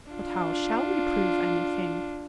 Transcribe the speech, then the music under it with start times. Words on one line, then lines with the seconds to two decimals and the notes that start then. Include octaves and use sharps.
"But how shall we prove anything?"
0.11 D4 F4